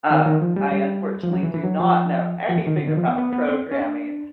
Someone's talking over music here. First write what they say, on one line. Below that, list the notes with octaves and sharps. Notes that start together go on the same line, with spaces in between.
um, I unfortunately do not know anything about programming,
D#3
D#3
F3
G3
G3
F3
F#3
E3
E3
F#3
F3
F3
E3
D#3
D3
D#3
F3
B3
B3
B3
C4
C#4
D4